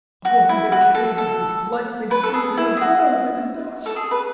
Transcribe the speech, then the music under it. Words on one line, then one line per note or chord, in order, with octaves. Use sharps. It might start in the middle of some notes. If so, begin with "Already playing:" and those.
On they came, with lightning speed, in a whirlwind of dust.
F#4
E4
F#4
A4
A4
B4
A4
G#4
E4
G#4
F#4
A4
G#4
B4